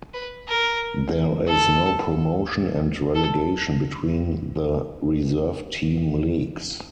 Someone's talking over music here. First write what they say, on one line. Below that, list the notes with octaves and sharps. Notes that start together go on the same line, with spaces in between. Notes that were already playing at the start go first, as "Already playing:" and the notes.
There is no promotion and relegation between the reserve team leagues.
B4
A#4
A4
A4